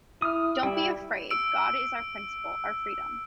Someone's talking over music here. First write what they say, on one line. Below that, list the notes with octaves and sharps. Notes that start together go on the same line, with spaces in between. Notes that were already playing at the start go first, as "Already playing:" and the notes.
Don’t be afraid. God is our principle, our freedom.
E4 D#6 F6
G3 E4 G5
E6 D7